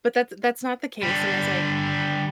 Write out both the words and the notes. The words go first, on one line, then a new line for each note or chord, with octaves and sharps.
Bbut that that's not the case, and as I
D3 G3